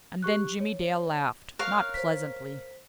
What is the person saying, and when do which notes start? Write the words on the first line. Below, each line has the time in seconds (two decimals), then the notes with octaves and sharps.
And then Jimmie Dale laughed--not pleasantly.
0.23 G4 C#6 F#6
0.60 C#5
1.59 A#4 C#5 F5 F#6
1.94 C5 B6